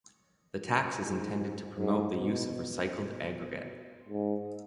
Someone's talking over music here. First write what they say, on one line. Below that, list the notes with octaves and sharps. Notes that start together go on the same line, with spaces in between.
The tax is intended to promote the use of recycled aggregate.
F#2
G#2
G#2
B2
B2
G#2